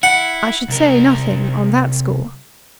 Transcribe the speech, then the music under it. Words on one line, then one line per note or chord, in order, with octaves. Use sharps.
"I should say nothing,--on that score."
E4 F#5
C2 A#4